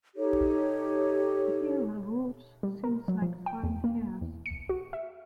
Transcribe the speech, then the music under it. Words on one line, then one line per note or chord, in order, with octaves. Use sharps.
The aerial roots seem like fine hairs.
D#4 G4 A4 C#5
G3
A#4
F#3
F3
G5
E2
A#3
E2
C#7
F#4
E5